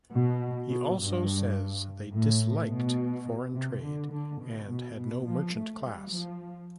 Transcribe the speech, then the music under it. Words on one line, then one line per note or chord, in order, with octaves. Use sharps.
He also says they disliked foreign trade and had no merchant class.
B2
B2
G2
A2
B2
C3
D3
D3
B2
B2
B2
F3
A3
G3
F3